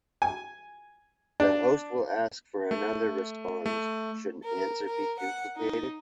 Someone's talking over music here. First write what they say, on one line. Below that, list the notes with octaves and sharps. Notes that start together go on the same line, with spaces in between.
The host will ask for another response should an answer be duplicated.
G#5
D4
A3
A3
A#4
A#4
F#5
D#4